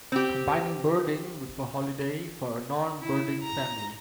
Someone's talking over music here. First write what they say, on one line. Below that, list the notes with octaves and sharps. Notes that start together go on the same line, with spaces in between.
Combining birding with a holiday for a non-birding family.
C4 G4
E4
A#5